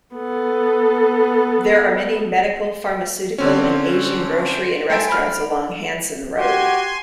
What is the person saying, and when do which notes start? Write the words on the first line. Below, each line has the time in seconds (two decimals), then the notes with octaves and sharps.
There are many medical, pharmaceutical and Asian grocery and restaurants along Hanson Road.
0.15 B3 A4
3.38 D3 C4 C#4
4.54 C5
4.90 A3 C5 E5 G#5 A6 D7
5.09 B5 F6
6.37 F#4 G4 G#5 C6